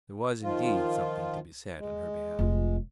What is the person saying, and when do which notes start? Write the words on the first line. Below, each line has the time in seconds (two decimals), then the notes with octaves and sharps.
There was indeed something to be said on her behalf.
0.43 D#3 F3 F4
1.79 G#3
2.39 F1 F4